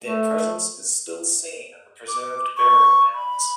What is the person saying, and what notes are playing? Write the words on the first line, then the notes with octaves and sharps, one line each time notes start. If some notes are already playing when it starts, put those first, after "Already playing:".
Their presence is still seen in the preserved burial mounds.
A3
D6
C#6
B5